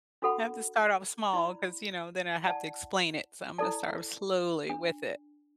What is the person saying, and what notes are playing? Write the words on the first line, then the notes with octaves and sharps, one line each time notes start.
I have to start off small 'cause, you know, then I have to explain it. So, I'm gonna start slowly with it.
D4 F#4 A4 F#5 B5
E4 D5 B5
E4 D5 F#5 A5
E4 A4 D5 A5
D4